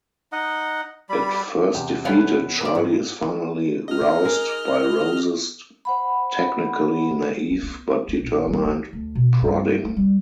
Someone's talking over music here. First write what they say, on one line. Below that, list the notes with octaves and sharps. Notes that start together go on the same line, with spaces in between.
At first defeated, Charlie is finally roused by Rose's technically naive but determined prodding.
D#4 D#5 F#5
G3 B5
E2 C3 G4
A3 B3 C#4 B4 C#5 F5
C#3 D4 B4
G#2
D#5 F6
D#4 G#4 A#4
C5 F#5 B5
C#4
B3
A#3
A#1
G3
D#4
D2
B2
G2
A3
G3